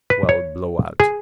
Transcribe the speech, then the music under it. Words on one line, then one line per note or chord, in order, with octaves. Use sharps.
Swell blowout.
B4
C#5
G#4